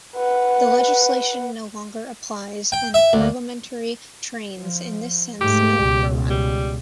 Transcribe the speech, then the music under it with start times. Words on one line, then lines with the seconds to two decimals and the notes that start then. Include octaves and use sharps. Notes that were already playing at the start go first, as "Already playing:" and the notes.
The legislation no longer applies and "parliamentary trains" in this sense no longer run.
0.16 B4 F#5
2.72 G5
2.94 E5
3.13 D2
4.59 F3
5.41 G#2 A3 G4
5.83 C#2 B2
6.30 G3